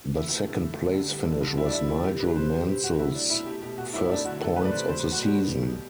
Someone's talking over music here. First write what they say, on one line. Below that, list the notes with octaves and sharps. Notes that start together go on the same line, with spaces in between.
The second-place finish was Nigel Mansell's first points of the season.
E3 E4
A3
A2
A3
D3
D3
G3
D3
D3
G3 E4
D4
D3 E4
D3 E4
G3 G4
C3 B4
C3 C5
G3 C5
C3 G4
C3 F#4
F#3 E4
A3 D4
B2 E4
A3 G4
B2 G4
B2 F#4
F#3 E4
E4
A3 D4
D3 F#4
E3 A4
A3 B4
D5
C3 C5
F#3 C5
A3 B4
F#4
B2 G4
G3
B2
B2